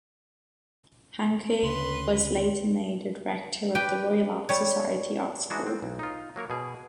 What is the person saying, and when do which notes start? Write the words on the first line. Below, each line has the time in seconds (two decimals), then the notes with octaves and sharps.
Hanke was later made a director of the Royal Art Society art school.
1.63 D2 C#3 B4 C6
3.75 G4 B4 G5
4.49 G3 C#5
5.50 E3 G#3 D4 D#4 F#4
5.66 C4
5.82 B1
5.99 D#4 F4
6.36 F#3 A#3 A#4 C#5
6.50 B2 G#4